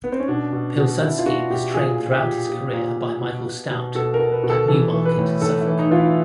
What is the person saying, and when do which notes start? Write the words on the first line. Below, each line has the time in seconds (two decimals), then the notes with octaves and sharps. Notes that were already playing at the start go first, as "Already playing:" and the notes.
Pilsudski was trained throughout his career by Michael Stoute at Newmarket, Suffolk.
0.04 B3
0.12 C4
0.20 C#4
0.28 B2 D4
0.52 B2
0.78 B2
1.01 B2 E4
1.19 F4
1.26 B2 F#4
1.50 B2 G4
1.74 A#2 G#4
1.99 A#2
2.11 G4
2.23 A#2
2.48 A#2 G4
2.73 A#2
2.97 A#2
3.21 B2
3.46 B2
3.71 B2
3.95 B2 A4
4.14 A#4
4.19 B2
4.32 B4
4.44 B2
4.50 A4
4.68 E3 A4
4.93 E3
5.05 B4
5.17 A2
5.41 A2 A4
5.61 E4
5.66 E3
5.79 D#4
5.90 E3 F4
5.97 E4